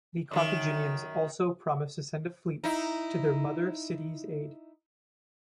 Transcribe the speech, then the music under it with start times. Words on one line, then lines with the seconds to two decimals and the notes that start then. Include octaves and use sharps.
The Carthaginians also promised to send a fleet to their mother city's aid.
0.31 F#2 D3 D#3
2.64 D#4 E4